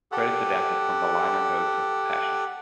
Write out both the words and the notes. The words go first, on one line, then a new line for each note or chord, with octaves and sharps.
Credits adapted from the liner notes of "Passion".
G4 A4 F#5